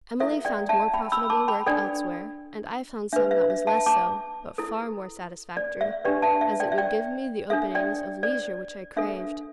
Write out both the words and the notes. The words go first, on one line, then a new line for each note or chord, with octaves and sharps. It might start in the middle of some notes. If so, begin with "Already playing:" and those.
Emilie found more profitable work elsewhere, and I found some that was less so, but far more satisfactory, as it would give me the openings of leisure which I craved.
E4 A4 E5
D5 G5
E5 A5
G5 B5
B5 E6
A5 D6
G5 B5
D4 A4 D5 G5
D4 B4 E5
E5
E5
E5 A5
A5 D6
E4 A4
D5
E5
D4 G4 B4 D5 G5
E5 A5
E5
D5 G5
E5
D5 G5
D4 A4 E5
D5 G5
D5
D4 A4 E5